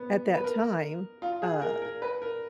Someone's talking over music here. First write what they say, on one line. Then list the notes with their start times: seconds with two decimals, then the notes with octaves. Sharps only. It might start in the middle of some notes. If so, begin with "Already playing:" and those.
at that time, uh,
Already playing: B3
0.34 B4
0.44 A#4
1.22 F4
1.42 G#4
1.62 A#4
1.82 A#4
2.02 B4
2.22 A#4